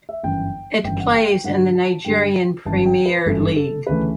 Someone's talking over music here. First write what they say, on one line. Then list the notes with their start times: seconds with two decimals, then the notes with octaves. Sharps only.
It plays in the Nigerian Premier League.
0.09 E5
0.23 G1 F#2 E3 G5
0.84 G1 F#2 E3 G5
1.00 F#5
1.15 G5
1.30 G5
1.44 G2 D3 G3 F#5
1.75 A5
2.05 G2 D3 G3 G5
2.65 G1 F#2 E3 A5
2.86 G5
3.06 B4
3.26 G1 F#2 E3 A4
3.56 A4
3.87 D2 C#3 E3 A3 B4